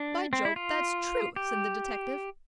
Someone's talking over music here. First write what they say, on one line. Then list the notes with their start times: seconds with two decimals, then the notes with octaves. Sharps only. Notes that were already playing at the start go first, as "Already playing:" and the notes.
"By Jove! that's true," said the detective.
Already playing: D4
0.33 C4
0.45 E4
0.56 F4
1.36 G4